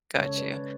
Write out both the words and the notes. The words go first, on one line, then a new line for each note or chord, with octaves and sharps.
Got you.
C#3 G#3 C#4 A4 C#5
B4 D5